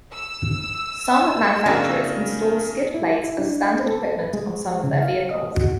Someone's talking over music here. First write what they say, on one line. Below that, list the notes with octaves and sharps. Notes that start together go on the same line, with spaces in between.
Some manufacturers install skid plates as standard equipment on some of their vehicles.
E6
F2 C#3 A#3 C4 D4 F#4 G#4 A#4
E4
E4
D4
A4
B4
G#3
C#3
F5
D#5
F#4